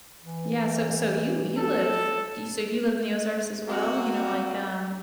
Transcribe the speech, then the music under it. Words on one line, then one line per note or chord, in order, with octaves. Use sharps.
yeah, so so you you live do you so do you live in the Ozarks as well? You know, like, um,
E3
A4
F#3 A#3 C4 F#4